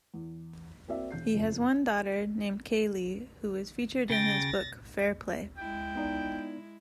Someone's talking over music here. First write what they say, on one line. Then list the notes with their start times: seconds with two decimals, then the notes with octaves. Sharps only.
He has one daughter, named Cayley, who was featured in his book "Fair Play".
0.14 E2
0.88 A#3 C4 F#4 D5 E5
1.11 E1 G6 C7
1.34 F#1 F2
4.10 C#3 G5 A6 A#6
5.58 G#3 E4 G5
5.95 B3 D#4 D5